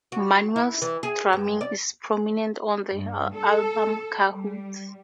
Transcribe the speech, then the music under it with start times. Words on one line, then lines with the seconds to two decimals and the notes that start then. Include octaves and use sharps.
Manuel's drumming is prominent on the album "Cahoots".
0.12 F#4
0.56 E4
0.82 E3
1.03 G#4
1.33 G2
1.61 D5
2.94 G2
3.35 A4
4.29 G3